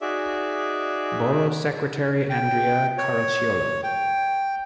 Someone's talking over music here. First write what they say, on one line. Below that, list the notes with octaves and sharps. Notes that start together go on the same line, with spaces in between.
Borough Secretary-Andrea Caracciolo.
D#4 F#4 G#4 D5 E5
G5
C#5
G5